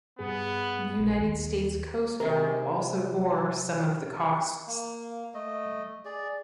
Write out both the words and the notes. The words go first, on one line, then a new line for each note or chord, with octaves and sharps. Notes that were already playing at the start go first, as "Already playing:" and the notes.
The United States Coast Guard also bore some of the costs.
G2 B3 G#4
A#1
D#2
C3 G#3 A#4
A#3
A3 D#5
G#4 D5